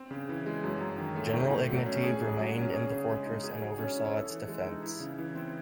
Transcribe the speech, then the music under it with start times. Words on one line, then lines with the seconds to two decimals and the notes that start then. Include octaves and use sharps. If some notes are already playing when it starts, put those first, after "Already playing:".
General Ignatiev remained in the fortress and oversaw its defence.
Already playing: C4
0.11 C#3
0.29 E3
0.46 G#3
0.63 F#2
0.81 F#2
0.98 D#3
1.16 A3
1.34 A2
1.50 A2
1.69 F#3
1.86 C#4
2.04 G#4
2.20 G#2
2.39 F#3
2.55 C#4
2.74 G#4
2.90 C#3
3.08 G#3
3.25 D#4
3.43 G#4
3.60 F#3
3.78 C#4
3.96 E4
4.13 A4
4.30 E3
4.48 G#3
4.66 D#4
4.83 E4
5.00 C#3
5.19 E3
5.35 C4